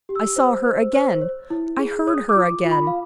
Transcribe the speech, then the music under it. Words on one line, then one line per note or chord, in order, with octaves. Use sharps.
I saw her again; I heard her again.
G4
E6
C5
C5
C5
C#5
E4
G#4
C#5 D#6
D6
F4
F4
B5
F5